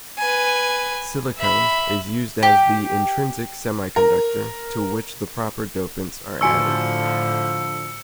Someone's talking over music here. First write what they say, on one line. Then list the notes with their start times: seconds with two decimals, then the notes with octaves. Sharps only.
Silicon is used as the intrinsic semiconductor, to which the proper dopants are added.
0.18 B4 G#5
1.38 E5 B5
2.43 G4
3.96 A#4
6.41 A2 D3 F3 F#4 G#5 C#6 E6 C#7